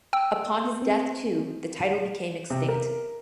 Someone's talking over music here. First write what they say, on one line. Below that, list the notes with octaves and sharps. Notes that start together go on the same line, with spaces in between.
Upon his death, too, the title became extinct.
G5 E6
C4
C3
A#4